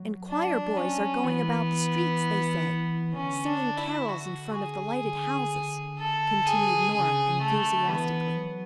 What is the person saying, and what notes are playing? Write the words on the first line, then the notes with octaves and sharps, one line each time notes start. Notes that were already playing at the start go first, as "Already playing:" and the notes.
"And choir-boys are going about the streets, they say, singing carols in front of the lighted houses," continued Norah enthusiastically.
Already playing: F#3
D4
C#4
E3 B3
D3 C#4
D4
E4
F#4
G#4
D3
A4
G#4
C#3 G#4
C#3
A3
C#3
D3
E3 B3
F#3